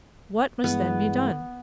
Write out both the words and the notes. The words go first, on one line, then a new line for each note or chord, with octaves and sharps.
"What must then be done?"
G2 E3 G#3 B3